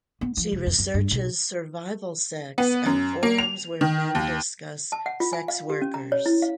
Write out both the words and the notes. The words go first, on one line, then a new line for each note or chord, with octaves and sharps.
She researches survival sex and forums where men discuss sex workers.
B3
F3
F1
F2
F#2
G2
B1
B3
F#2
A#3
F7
D#3
D#2
A5
F#5
F4
G#5
F5
G4
C#4
A#5
C#5
E4
F5